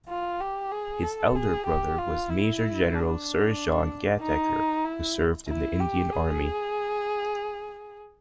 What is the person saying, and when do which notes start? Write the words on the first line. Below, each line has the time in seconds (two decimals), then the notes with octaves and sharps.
His elder brother was Major-General Sir John Gatacre who served in the Indian Army.
0.09 F4
0.40 G4
0.72 G#4
1.03 A4
1.36 G#4
1.67 G4
1.99 F4
2.30 E4
2.94 D4
4.21 D#4
4.85 E4
5.48 E4
5.80 G4
6.13 G#4